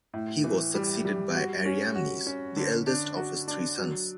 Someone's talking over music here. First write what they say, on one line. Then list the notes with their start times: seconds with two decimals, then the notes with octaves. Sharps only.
He was succeeded by Ariamnes, the eldest of his three sons.
0.14 A2
0.44 E3
0.75 G3
1.05 G3
1.35 F#4
1.66 C#4
1.95 F#4
2.27 C#4
2.56 D3
2.87 D4
3.17 F#4
3.48 D4
3.78 F#3